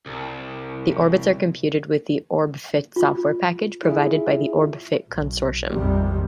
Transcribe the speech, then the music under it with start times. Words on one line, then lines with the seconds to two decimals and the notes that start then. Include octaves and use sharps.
The orbits are computed with the OrbFit software package provided by the OrbFit Consortium.
0.06 C2
2.96 F4
3.83 E4 F4 G#4 E5
5.08 B1
5.70 A#1 F2 G#2 C3 D#3 G3